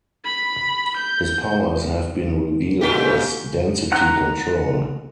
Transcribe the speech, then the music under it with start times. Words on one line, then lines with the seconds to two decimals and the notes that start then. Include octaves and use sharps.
His powers have been revealed as density control.
0.25 B5
0.97 G6
2.81 A#2 F4 G4
3.92 F#5 A#5 F#6